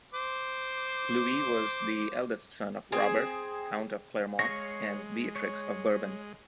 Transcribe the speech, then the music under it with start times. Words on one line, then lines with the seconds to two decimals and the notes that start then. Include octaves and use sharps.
Louis was the eldest son of Robert, Count of Clermont and Beatrix of Bourbon.
0.14 C5 D6
2.92 C4 G#4
4.39 G#3 C#5 F5 C#6 A#6
5.36 C#5